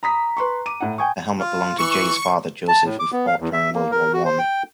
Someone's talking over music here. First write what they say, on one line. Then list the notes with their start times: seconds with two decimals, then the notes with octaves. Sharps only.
The helmet belonged to Jay's father, Joseph, who fought during World War One.
0.03 A#5 B5 D#6 B6
0.37 B4 C6 C#6
0.66 D6 D#7
0.80 A2 F#5
0.98 G5 G#5 C#6 D#6
1.39 F4
1.78 E3 C#6
2.68 A5
2.85 A2
2.99 D6
3.12 B3
3.27 F5
3.40 E2
3.53 E5
3.74 A#3
3.91 A#4
4.13 F#4
4.25 C5
4.39 G5